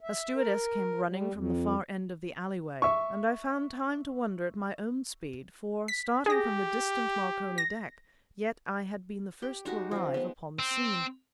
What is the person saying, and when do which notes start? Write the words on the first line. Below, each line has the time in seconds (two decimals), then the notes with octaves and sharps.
A stewardess came running from the far end of the alleyway, and I found time to wonder at my own speed; for, starting from the distant Marconi deck, yet I had been the first to arrive upon the scene.
0.01 E5
0.35 A#4
1.07 G3
1.32 F2
2.82 E5 C#6
5.88 B6
6.26 G4 G#4 A#6
7.58 A#6
9.42 G4 G5
9.65 G#3 D#4 F#4 G4
9.91 F3 C4
10.14 G#3 B3
10.59 C4